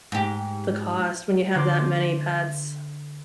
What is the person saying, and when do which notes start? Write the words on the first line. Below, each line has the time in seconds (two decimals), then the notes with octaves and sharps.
the cost when you have that many pets.
0.12 G#2 G4
1.55 D3 C5 D6